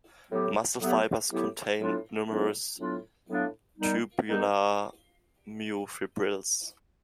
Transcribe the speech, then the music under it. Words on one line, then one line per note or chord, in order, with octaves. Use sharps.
Muscle fibers contain numerous tubular myofibrils.
A2 F#3 B3 E4 G4
A2 F#3 B3 E4 G4
A2 F#3 B3 E4 G4
A2 F#3 B3 D4 F4
A2 F#3 B3 D4 F4
A2 F#3 B3 D4 F4
A2 F#3 B3 D4 F4
D#3 G3 B3 D#4
D#3 G3 B3 D#4